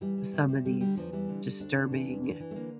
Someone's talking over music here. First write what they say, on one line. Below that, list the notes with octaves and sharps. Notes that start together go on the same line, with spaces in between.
some of these disturbing,
E3 G3
E3
C3
C3
D3 G3
D3 G3
E2 F3
E3 G3
D3
D3
D2 D4
D3
E3
E2
E3
E3
A3
D3 A#3